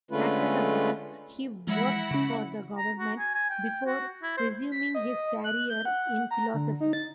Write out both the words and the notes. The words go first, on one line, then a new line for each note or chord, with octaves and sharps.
After the war, he worked for the government before resuming his career in philosophy.
D3 G#3 A3 C#4 F4 B4
E3 F3 G#3 E4 F#5 A#6
C#3 C#4
A#5
F#4
G#5
G#5
G5
F#4
E4
C5
B6
D#5
F#6
G6
F#5
A#5
D3
D#4
A6